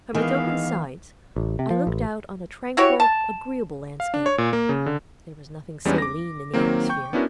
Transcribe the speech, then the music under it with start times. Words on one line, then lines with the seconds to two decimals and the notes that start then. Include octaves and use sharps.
From its open sides I looked out on a tranquil, agreeable landscape; there was nothing saline in the atmosphere.
0.15 D#3 E3 G#3 B3 F5
1.36 A1
1.59 C3
1.70 F3
1.87 A1
2.77 E4 F#4 G4 C#5
3.00 A5
4.00 F5
4.14 D4
4.26 C#5
4.38 A#2
4.53 A#3
4.69 C#3
4.86 D3
5.85 E2 G3 G#3 B3 C#4 D4
5.98 D6 A#6
6.54 D#3 F#3 A#3 C4
6.89 G5 C#6 G6
7.13 B3 C#4 D4 E4 F#4 A#4